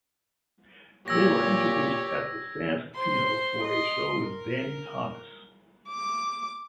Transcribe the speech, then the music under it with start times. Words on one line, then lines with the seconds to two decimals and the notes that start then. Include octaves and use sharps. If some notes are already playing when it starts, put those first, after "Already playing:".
They were introduced at the Sands Casino for a show with Danny Thomas.
1.08 A#2 G4 C#5 E6 G#6 A#6
2.95 C5 C6
3.63 D#5 C6
4.20 A#4
5.89 D6